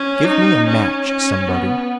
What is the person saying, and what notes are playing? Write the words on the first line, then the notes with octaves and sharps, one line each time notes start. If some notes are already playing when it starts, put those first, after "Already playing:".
Give me a match somebody....
Already playing: C#4
D#4
C#4
C#4
B3